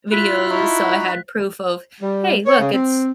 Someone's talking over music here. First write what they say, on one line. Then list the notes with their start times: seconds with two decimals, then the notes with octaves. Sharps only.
videos. So, I had proof of, "Hey, look, it's
0.11 E4 F4 F#6 B6
0.49 D#4 E4 F#4 B5
2.01 G3
2.46 C#5
2.60 C#3
2.72 C4